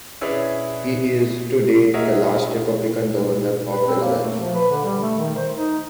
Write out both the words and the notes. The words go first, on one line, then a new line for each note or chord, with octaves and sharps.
He is, to date, the last Republican governor of Delaware.
C#4 E4 G#4 B4 C#5 D5
F#4 G#4 A#4 C#5 D#5 E5
B4
C4
A#3
A3
F3
B4
D3
G3
A3
D#3
C5
D#4